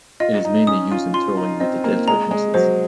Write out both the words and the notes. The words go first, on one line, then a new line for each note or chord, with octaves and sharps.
It is mainly used in throwing, with the deltoid muscles.
F4 D#5
D#4
C#4 D#6
F4
F4 C6
D#4
C4 D#5
A#3
G#3 A#5
G#3
F#3 C5